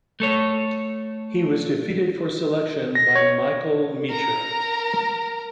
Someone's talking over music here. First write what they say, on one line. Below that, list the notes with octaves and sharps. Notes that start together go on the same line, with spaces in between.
He was defeated for selection by Michael Meacher.
A3 A4 C#5
A#6
C#5
A#4 A#5